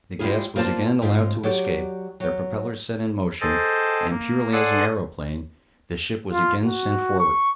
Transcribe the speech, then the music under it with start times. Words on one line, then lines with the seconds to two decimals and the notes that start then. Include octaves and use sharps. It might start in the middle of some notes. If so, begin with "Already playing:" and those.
The gas was again allowed to escape, the propellers set in motion, and purely as an aeroplane, the ship was again sent forward.
0.19 G3 G#3 E4 F4 G#4
0.56 A#3 F4 C5 D5 A5
1.02 G#2 C4 F4
1.43 F#3 G4 D5
2.20 F#3
3.41 G#4 A4 C5 D#5 G5 A5
4.10 A#3
4.52 G#4 A4 D5 F#5 C6 D#6
6.32 F4
6.63 F#4
7.19 C#6